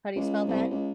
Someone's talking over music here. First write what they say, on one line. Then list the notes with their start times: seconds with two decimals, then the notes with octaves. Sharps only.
How do you spell that?
0.16 C#2
0.48 C2
0.70 C#2